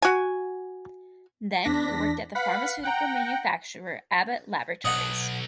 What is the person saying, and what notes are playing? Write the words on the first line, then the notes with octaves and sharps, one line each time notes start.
Then he worked at the pharmaceutical manufacturer Abbott Laboratories.
F#4 G#5
E2 D4 A#6 B6
B4 F5 F#5 B6
F#5 G5 A#5
B1 D#5 F#5